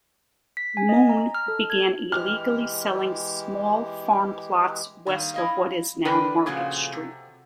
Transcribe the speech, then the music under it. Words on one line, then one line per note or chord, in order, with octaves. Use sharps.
Moon, began illegally selling small farm plots west of what is now Market Street.
B6
G#5
D#5
A#5
F6
A4
G#6
E3 G#3 G4 F6
D#3 G3 A#3
E4 D#5 F5
D3 D4 A#4 B4 D5 G5
A#2 C#3 F3 A3 F4 F#4
C3